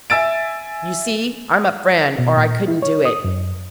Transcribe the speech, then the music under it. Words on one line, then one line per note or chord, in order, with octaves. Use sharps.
You see I'm a friend, or I couldn't do it.
E5 G#5 E6 A6 D7
B2
A#2
E4
C#5
D#6
F#2